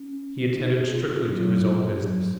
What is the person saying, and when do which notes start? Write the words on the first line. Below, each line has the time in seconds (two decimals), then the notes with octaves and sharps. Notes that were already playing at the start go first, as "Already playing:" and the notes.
He attended strictly to his own business.
Already playing: C#4
0.58 D#4
0.74 G#4
0.91 F4
1.26 F#3
1.94 F#3